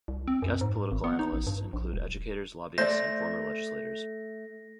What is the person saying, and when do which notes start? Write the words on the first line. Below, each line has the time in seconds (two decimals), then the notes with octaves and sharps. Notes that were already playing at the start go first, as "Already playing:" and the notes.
Guest political analysts include educators, lobbyists, and former legislators.
0.08 C2
0.28 C4
0.42 F#2
0.61 G#2
0.91 G#1
1.04 B3
1.19 D#4
1.33 A1
1.47 G2
1.73 A#1
1.94 D#1
2.78 A3 C5 D5 A#6